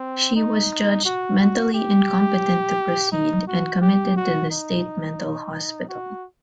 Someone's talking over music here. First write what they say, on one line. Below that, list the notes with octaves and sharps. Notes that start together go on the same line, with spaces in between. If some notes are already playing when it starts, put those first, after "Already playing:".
She was judged "mentally incompetent to proceed" and committed to the state mental hospital.
Already playing: C4
D#4
F#4
F#4
G4
D#4
F#4
G4
F#4
D#4
F#4